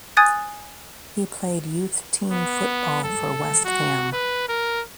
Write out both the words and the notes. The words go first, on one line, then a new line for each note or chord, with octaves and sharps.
He played youth team football for West Ham.
G#5 D#6 F#6 G#6 A6
B3
A4
F#4
B4
A#4